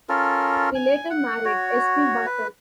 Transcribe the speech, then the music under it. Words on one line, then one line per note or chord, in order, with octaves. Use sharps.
He later married Esme Barton.
C#4 F4 A4 A#4
G#5
F#5
F#4 C#5
B4